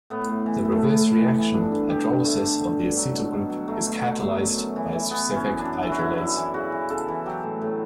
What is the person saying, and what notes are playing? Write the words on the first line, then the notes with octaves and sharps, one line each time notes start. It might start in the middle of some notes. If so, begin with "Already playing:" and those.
The reverse reaction, hydrolysis of the acetyl group, is catalyzed by a specific hydrolase.
A2 B3
A2
E3
A2
A3
A2 B3
A2
E3
E3
G2 D4
D3
G2 G4
G2
D3 A3
D3
D3
G2
F#3
B2
B2
F#3
F#3 A3
B2
F#3
F#3
F#2
F#2
E3
E3
E3 B3
E3
C#4
F#2
D4
F#2
E3 E4
F#4
F#2 E4
F#2
E3
C#3 F#4
E3
C#3 A4
E3
F#3 G4
A2
A2